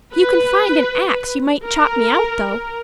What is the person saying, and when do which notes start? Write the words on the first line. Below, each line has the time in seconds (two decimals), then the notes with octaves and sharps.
If you can find an axe you might chop me out, though.
0.14 B4
1.65 A#4